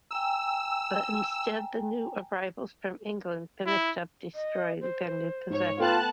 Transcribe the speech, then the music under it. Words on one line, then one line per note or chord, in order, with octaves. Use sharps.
But instead, the new arrivals from England finished up destroying their new possession.
G5 G#5 A#5 E6
E4
D#5
C5
G#2 C#5
A3 B3 F4 A4 B4 G5 A5 F#6